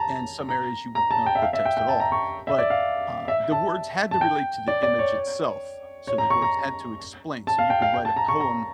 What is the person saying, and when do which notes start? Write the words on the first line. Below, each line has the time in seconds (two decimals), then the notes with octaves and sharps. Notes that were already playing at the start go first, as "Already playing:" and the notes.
and some areas, you would not put text at all, but, uh, the words had to relate to the image itself, so the words had to explain, so you could write a poem
Already playing: A5 A#5
0.49 A#5
0.95 A#5
1.11 A5
1.26 G5
1.35 E5
1.42 F5
1.53 E5
1.65 G5
1.77 G5
1.88 A5
2.00 A#5
2.12 C#6
2.47 E5
2.58 D5
2.70 F5
3.28 E5
3.52 A5
4.11 A5
4.21 G5
4.68 D5
4.83 D5
4.99 C#5
6.07 C#5
6.18 A#5
6.30 C#6
6.42 A#5
7.47 A5
7.59 F5
7.70 G5
7.82 F5
7.94 G5
8.05 A5
8.17 A#5
8.28 C#6
8.40 A#5